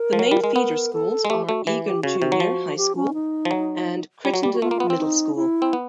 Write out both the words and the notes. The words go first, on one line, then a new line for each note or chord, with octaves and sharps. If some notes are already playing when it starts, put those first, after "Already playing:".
The main feeder schools are Egan Junior High School and Crittenden Middle School.
Already playing: A#4
F3
F#3
G3
G#3
B3
A4
G#3
A3 G4
A3 F#4
E3 G4
G4
C#3 F#4
C3
F#3
F3
G4
C#4
D#4
F3
F#3
G3 F4
F#3 F#4
G3 G4
F#4
A3 F4
A#3
B3
C4
D#4
E4
C4
B3